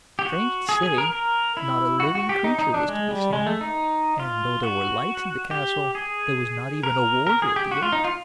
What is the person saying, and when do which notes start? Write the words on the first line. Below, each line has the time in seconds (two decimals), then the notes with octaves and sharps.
Strange to say, not a living creature was to be seen, and though there were lights in the castle, there was not even a warder at the gate.
0.19 G4
0.25 F#4
0.69 G#4
0.83 G#4
0.98 A#4
1.12 A#4
1.57 E4
2.00 F#4
2.15 F#4
2.29 G4
2.44 D#4
2.59 D#4
2.74 D4
2.88 G#3
3.10 G3
3.33 G#3
3.47 A3
3.61 D#4
4.20 F4
4.63 F#4
5.51 G4
5.95 G#4
6.83 A#4
7.27 A#4
7.42 G#4
7.56 G4
7.71 F#4
7.83 F4
7.92 D#4
8.05 F4